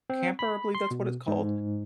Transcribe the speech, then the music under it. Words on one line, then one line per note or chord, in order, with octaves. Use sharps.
camper- I believe that's what it's called-
C4
B5
C6
B2
G#2